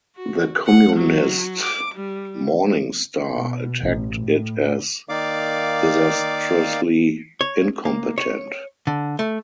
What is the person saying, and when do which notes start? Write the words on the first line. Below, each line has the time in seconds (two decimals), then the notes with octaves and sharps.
The Communist "Morning Star" attacked it as "disastrously incompetent".
0.16 F#4
0.66 F#5
0.96 F#3
1.63 D6
1.94 G3
3.33 B2
3.80 A1
4.22 A2
5.09 D#3 A#3 D#4 D5 F5 D6
7.41 C#5
7.85 A#3
8.18 C#5
8.87 D3
9.19 A3